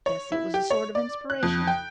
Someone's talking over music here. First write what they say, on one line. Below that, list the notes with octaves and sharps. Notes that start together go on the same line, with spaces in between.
Guess it was a sort of inspiration.
C#5
E4
G4
C#5
D5
F#6
F2
G5